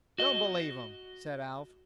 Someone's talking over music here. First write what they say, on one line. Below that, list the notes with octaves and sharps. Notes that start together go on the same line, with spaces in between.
"Don't believe 'em," said Alf.
F#4 D#5